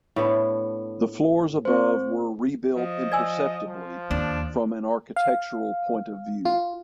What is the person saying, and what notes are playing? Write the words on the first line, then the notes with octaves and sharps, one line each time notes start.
The floors above were rebuilt imperceptibly from an architectural point of view.
A2 B3 D4
C4 C5
F3 D#5
D5 G#5 E6
F3
D#2 D4
F5
F4